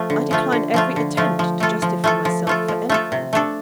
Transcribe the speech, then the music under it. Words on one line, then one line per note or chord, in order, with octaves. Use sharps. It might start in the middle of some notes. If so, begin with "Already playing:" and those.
I decline every attempt to justify myself for anything.
Already playing: F3 A3 F4
D3
F3 A3 F4
D3
F3 A3 F4
D3
F3 A3 F4
F3
A3 F4 A4
F3
A3 F4 A4
F3
A3 F4 A4
F3
A3 F4 A4
C3
A3 D4 A4